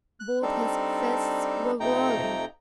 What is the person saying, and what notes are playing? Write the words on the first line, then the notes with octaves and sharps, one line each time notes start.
Both his fists were whirling.
F#6
G3 C4 D4 D#4 A4
F2 C3 A3 D#4 G5 A#5